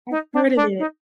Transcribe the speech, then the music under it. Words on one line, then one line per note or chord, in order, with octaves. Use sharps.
I've heard of it.
D#4
D4
D4
D#4